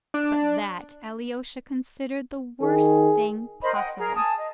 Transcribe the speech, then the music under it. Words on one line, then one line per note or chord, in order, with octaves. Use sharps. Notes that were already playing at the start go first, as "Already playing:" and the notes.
But that Alyosha considered the worst thing possible.
D4
D#3 G#4
A#4 C5 D#5 B5
D#5 F#5 G5
G#4 A#4 A#5
G#5 A5 D#6
D#5